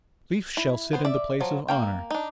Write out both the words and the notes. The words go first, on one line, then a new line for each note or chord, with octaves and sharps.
"Leif shall sit in the place of honor."
E4
B3 C5
D5 E5
F3 F#3
A#3 A#4 G5
D4 D#4